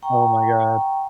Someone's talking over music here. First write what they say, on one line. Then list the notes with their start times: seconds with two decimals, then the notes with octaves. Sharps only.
Oh my god.
0.02 F#5 G5 A#5 C#6